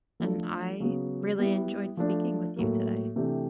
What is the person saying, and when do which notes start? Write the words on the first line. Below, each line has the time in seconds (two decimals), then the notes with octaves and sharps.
and I really enjoyed speaking with you today.
0.20 F3 A3 D4 F4 A4
0.80 C#3 F#3 B3
1.38 G3 B3 E4
1.97 F3 A3 D4
2.56 A2 F#3 A#3
3.16 C3 E3 A3 D4 G4